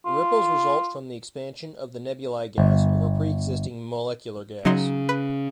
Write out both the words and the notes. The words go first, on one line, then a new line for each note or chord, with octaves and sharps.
The ripples result from the expansion of the nebulae gas over pre-existing molecular gas.
F4
G1
C#3 F#3 D#4 C6
B4